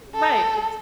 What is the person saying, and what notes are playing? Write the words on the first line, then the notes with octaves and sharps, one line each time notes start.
Right, it's
A4